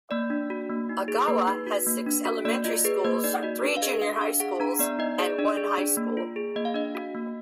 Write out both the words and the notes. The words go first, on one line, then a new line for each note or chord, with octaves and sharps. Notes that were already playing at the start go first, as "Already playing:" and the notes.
Ogawa has six elementary schools, three junior high schools, and one high school.
A#3 D5
D4
F#4
A#3
D#4
G#4
A#3 B4
D#4
F#4
A#3
D4
F#4
A#3 D5
F4 D#5
G#4 B4
A#3 D#5
D#4 D5
F#4 D#5
D4 B4
F5
G#4 D#5
D4 F5
D4 F5
G#4 F#5
D4 A#5
B3 D5
D#4 D#5
G#4 D5
D4 D5
G#4
D4
A#3
F4
G#4
A#3 D#5
F5
D4 D#5
F#4
A#3